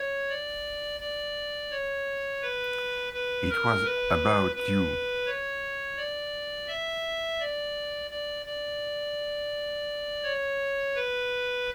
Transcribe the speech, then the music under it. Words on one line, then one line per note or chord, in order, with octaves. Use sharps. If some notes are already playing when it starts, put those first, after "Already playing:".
It was about you.
Already playing: C#5
D5
D5
C#5
B4
B4
A#4
B4
B4
C#5
D5
E5
D5
D5
D5
C#5
B4